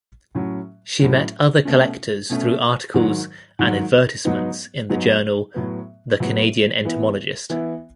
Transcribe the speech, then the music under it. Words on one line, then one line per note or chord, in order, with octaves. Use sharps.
She met other collectors through articles and advertisements in the journal "The Canadian Entomologist".
A2 F#3 C#4
A2 F#3 C#4
B2 A3 C#4
B2 A3 C#4
G#2 D#3 F#3
G#2 D#3 F#3
G#2 F#3 B3 D#4
G#2 F#3 B3 D#4
A2 F#3 B3
A2 F#3 B3
E3 B3 E4
E3 B3 E4